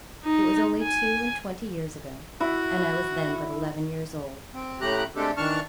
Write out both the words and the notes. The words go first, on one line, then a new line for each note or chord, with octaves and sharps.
It was only two-and-twenty years ago, and I was then but eleven years old.
D#4
G#5
E4 F#4
C4
A2 C#3 A3 G4 A#5 F#6
G#3 A3 C4 D4 G4 A4
D#3 E3 D4 A5 C#6 F6